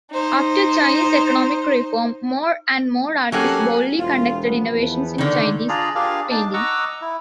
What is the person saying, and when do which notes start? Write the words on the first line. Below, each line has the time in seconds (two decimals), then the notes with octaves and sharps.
After Chinese economic reform, more and more artists boldly conducted innovations in Chinese Painting.
0.12 D#4 C5
3.32 F#3 A#3 C4 C#4 G4 A4 F#5 G#5
3.97 E1 F4
4.44 F3 B3
4.75 E2
5.18 D3 D#3
5.69 D4 F4 G#4 D5 A#5
5.95 D4 F4 G4 G#4 A#4 F5
6.31 D4 D#4 A5 D6
6.54 D#5 F#5 A#5 C#6 D6 E6
7.01 E4